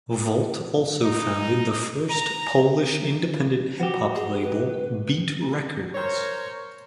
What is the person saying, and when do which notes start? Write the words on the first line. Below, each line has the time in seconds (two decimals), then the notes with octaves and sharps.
Volt also founded the first Polish independent hip hop label, Beat Records.
1.05 D#4
2.10 A#5
3.80 F#4 G4
4.15 G#4
4.43 B4
5.95 A#4 C5 C#5